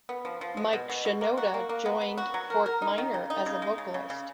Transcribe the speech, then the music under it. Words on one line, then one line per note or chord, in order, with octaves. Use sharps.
Mike Shinoda joined Fort Minor as a vocalist.
B3
F3
F3
G#3
B2
B2
B2
A#3
F#4
A#3
A#3
B3
B3
F#4
F#3
A#4
A#4
D#4
D#3
C#3
D#4
C#3
G#3
C#3
C#3
C#3